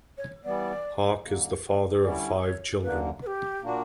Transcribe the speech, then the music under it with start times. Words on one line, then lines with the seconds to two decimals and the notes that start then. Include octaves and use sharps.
Hawk Is the father of five children.
0.18 C#5
0.44 E3 G3 B3 D5
1.23 F#2 D3 A#3
2.03 D3 G3 C#4 E4 D5
2.42 C#5
2.82 F#2 D3 A#3 B4
3.22 B4
3.27 G4
3.62 A#2 A#3 D4 F#4